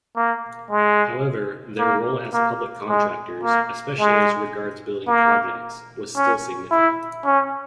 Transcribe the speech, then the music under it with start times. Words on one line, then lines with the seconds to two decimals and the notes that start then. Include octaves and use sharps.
However, their role as public contractors, especially as regards building projects, was still significant.
0.16 A#3
0.70 G#3
1.79 A#3
2.34 A#3
2.89 G#3
3.44 A#3
3.98 G#3
5.07 A#3
6.16 C#4
6.71 E4
7.25 C#4